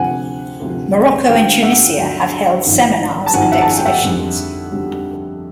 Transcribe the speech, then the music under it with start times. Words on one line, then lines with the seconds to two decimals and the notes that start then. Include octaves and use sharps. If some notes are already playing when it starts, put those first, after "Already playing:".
Morocco and Tunisia have held seminars and exhibitions.
Already playing: D2 C3 F3 F#5 G#5
0.60 D2 C3 F3
1.28 D2 D3 F#3 F5 G5
1.62 E5 F#5
1.98 D2 D3 F#3
2.66 G#1 G#2 F3
3.26 A5
3.34 G#1 G#2 F3 F#5 G#5
3.52 E5 F#5
3.62 A5
3.70 G#5
3.77 G5
3.85 E5 F#5
4.02 F2 D3 G3
4.72 F2 D3 G3